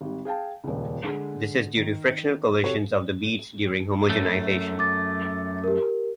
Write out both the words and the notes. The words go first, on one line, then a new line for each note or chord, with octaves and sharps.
This is due to frictional collisions of the beads during homogenization.
G#1 G3
G#4 F5 G5 A5
D#1 C#2
D3 G#3
D#3
F1 F#4 G4 A4 C#5 C#6
F#2 A3
D6 A6
G4 A#4